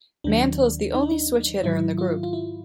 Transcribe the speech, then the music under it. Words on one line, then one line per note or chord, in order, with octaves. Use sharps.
Mantle is the only switch-hitter in the group.
D#2 D#3 F#3 D4
D#4
D4
D#4
G#2 D#3 F#3 E4
F4
F4
E4